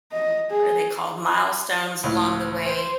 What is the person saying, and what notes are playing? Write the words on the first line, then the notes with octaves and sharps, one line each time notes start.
what are they called- milestones along the way
D#5
G#4
C#2 A2
C5